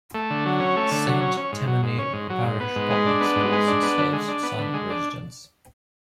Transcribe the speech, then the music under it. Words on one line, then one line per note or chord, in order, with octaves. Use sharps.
Saint Tammany Parish Public Schools serves Sun residents.
A3
D3
F#3
C#4
A3
D3
F#3
C#4
C#4
G#2
F#3
G#2
C#4
G#2
F#3
G#2
B3
G#2
G#3
D4
B3
G#2
G#3
D4
B3
D3
G#3
D4
B3
D3
G#3
D4